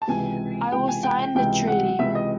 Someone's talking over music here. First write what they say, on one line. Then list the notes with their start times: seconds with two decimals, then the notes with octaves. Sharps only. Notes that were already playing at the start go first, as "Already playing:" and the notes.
I will sign the treaty.
0.02 A5
0.08 C#2 C3 E3 G#5
0.72 C#2 C3 E3 G5
0.88 G#5
1.03 G5
1.19 G5
1.35 C#2 C3 E3 G5
1.67 F#5
1.99 C#2 C3 E3 E5
2.15 D#5